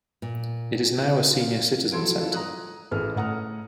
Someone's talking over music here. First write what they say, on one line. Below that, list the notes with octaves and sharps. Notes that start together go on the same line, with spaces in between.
It is now a senior citizen center.
A#2
F4 A#4
F#3 E4 A4 C6 G#6 D7
E4 F4 A4
A#5 D#6 F#6
A1 G#4 A4 B4 F6
A2 A4 F#5 A#5 D#6 F6